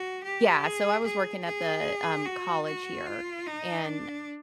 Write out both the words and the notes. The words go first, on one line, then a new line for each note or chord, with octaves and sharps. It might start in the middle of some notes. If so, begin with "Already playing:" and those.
Yeah, so I was working at the, um, college here, and
Already playing: F#4
G4
G#4
G#4
G#4
F#4
F#4
F4
D#4
D4